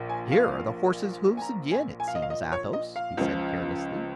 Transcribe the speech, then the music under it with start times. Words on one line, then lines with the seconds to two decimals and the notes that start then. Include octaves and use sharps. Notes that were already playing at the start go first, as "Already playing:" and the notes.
"Here are the horse's hoofs again, it seems, Athos," he said carelessly.
Already playing: A#1 A#2 F3
0.10 G#5
0.32 F5
1.37 G#5
1.42 A#5
1.72 G#5
2.00 G#5
2.08 F5
2.15 D#5
2.22 F5
2.30 D#5
2.52 C#5
2.73 D#5
2.96 F5
3.17 C#2 C#3 F3